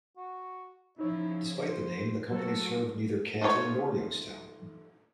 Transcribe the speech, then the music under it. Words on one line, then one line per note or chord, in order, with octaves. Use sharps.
Despite the name, the company served neither Canton nor Youngstown.
F#4
C#3 F3 D#4 E4 C#5
F4 C5
F#3 A3 A#3 F#4 A4 C5
A3 D#4 F4 G#4 C#5